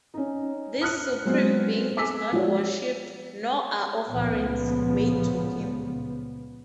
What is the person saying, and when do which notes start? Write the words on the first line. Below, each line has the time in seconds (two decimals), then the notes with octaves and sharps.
This supreme being is not worshiped, nor are offerings made to him.
0.14 C#4 D#4
0.81 D#6 F6 F#6 C#7
1.25 F#3 G#3 B3 C4 C5
1.97 G#5 D6 E6 B6
2.33 F3 G#3 F#4 C#5 D5
4.10 C#2 A#2 C#3 F3 B3